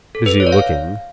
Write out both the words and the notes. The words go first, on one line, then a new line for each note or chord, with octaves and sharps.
Busy looking.
A4
B4
C#5
D5
F5